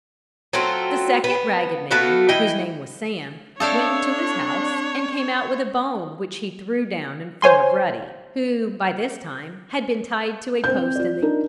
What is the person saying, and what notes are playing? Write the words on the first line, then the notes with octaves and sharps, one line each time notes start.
The second ragged man--whose name was Sam, went into his house and came out with a bone which he threw down in front of Ruddy, who, by this time, had been tied to a post in the yard.
F#3 A3 C4 F4
B3
A3 B3 F#4 F5
E3 E4 D#5 G5
C4 D4 A4 C#5 D5 E5 F5 A5
C5 C#5 G#5 C6
C4 C5 G6
F4 D5
D4 D#4 A#4